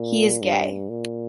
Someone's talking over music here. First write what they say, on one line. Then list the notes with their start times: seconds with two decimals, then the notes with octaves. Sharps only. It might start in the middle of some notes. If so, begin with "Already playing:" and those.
He is gay.
Already playing: A#2
0.42 G2
0.89 A#2